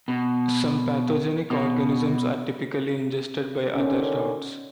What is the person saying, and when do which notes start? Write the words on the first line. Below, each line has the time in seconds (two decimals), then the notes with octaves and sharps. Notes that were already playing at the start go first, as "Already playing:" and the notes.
Some pathogenic organisms are typically ingested by other routes.
0.08 B2
1.50 B2
3.74 D3 D#3 C#4